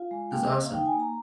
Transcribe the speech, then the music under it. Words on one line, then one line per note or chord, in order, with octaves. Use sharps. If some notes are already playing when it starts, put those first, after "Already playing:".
That's awesome.
Already playing: F4 F5
G#3
A#3 G5
D#5
A#3
F5
D#4 G5
G#5
A#3
A#5